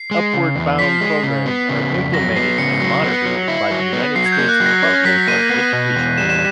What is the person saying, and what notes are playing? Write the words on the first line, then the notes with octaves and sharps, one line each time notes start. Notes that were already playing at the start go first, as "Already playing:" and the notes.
Upward Bound programs are implemented and monitored by the United States Department of Education.
Already playing: C7
G#3
C#3
E2
F3 B6
G#3
C#3
B3
C#3
F2
F#3 A#6
B3 C7
C#3 C#7
F#3
B3
F#3
E4
F#3
B3
F#3 C7
G#6
G6
A#3
F#6
F#3
A#6
C#4 A#6
A#6
F#3 B6
A#3 D#7
B3
B2
E2
G3 E7
E7